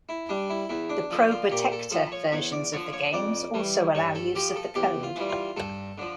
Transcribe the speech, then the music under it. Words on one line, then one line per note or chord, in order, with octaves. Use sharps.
The Probotector versions of the games also allow use of the code.
E4
G3 D4
E4
E2 E4
D4
D3 F3
F4
A#2 G4
A4
F3 A4
C#5
E2 C#5
D5
D3 F3 C#5
C#5
F2 D5
E3 G3
G2 C#5
A4
F3 G4
A4
E2 G4
F4
E3 G3
F4
G2 A4
D3 F3